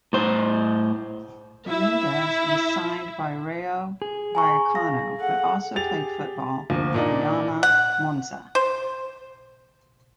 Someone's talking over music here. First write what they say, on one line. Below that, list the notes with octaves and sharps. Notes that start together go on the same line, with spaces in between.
Domingues was signed by Rayo Vallecano but also played football for Fiamma Monza.
A2 C5
E4 E5
G#4
G#5 A#5 C#6
F5 A#6
A4 F#5
G4 G#4 A6 F7
D2 F3 A#3
A#2 D4 D#4
F#5
C5